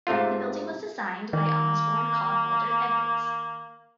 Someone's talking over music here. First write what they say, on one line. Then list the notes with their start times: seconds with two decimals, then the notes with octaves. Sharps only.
The building was designed by Osborne Cadwallader Edwards.
0.07 G#2 C3 A3 F4
1.33 D#3 A#3